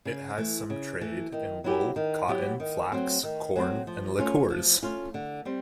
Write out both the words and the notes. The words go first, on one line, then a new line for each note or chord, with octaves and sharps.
It has some trade in wool, cotton, flax, corn and liqueurs.
C#3
E3 A3
C#3
E3 A3
D#3
F#3 B3 E4 G4
D#3
F#3 B3 E4 G4
D#3
F#3 A3 C4
D#3
F#3 A3 C4
F3
A3 C#4 F4
F3
A3 C#4 F4
D3
G3 C4